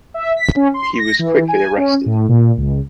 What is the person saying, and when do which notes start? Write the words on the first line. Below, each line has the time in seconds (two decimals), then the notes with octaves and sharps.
He was quickly arrested.
0.14 E5
0.37 B6
0.56 C#4
0.74 C6
0.99 A#6
1.19 E3
1.48 G#5
1.77 C#4
2.06 A2
2.29 A#2
2.57 C#2